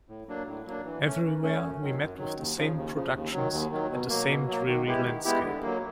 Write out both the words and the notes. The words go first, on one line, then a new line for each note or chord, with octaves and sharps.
Everywhere we met with the same productions, and the same dreary landscape.
A2
F#3 A#3 D4
A2
F#3 A#3 D4
E3
A3 C#4
E3
A3 C#4
F#2
D#3 F#3
F#2
D#3 F#3
D#2
C#3 F3
D#2
C#3 F3
D#2
D#3 F#3
D#2
D#3 F#3
B2
F#3 A#3
B2
F#3 A#3
D#3
G#3 B3 E4 G4
D#3
G#3 B3 E4 G4
D3
F#3 A#3